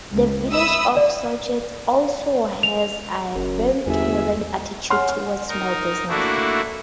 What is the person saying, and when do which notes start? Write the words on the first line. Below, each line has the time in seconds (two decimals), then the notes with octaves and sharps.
The Village of Sauget also has a very tolerant attitude toward small business.
0.11 C#2
0.52 E5 B5 D#6 E6
0.97 D5
2.63 F7
3.35 F#1 F#2
3.86 G1 E2 G#4 E5
4.90 C#5 F#5 G#5 C6 F6
5.09 F6
5.48 D#4 A#4
6.09 A3 A#3 D4 E4 F#4